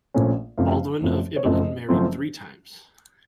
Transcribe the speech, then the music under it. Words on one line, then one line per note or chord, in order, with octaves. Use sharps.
Baldwin of Ibelin married three times.
A#1 A#2 A3 C#4
F#1 F#2 F3 A3 C4 F5
F#1 F#2 F3 A3 C4
C#5
F#1 F#2 F3 A3 C4 D#5
F#1 F#2 F3 A3 C4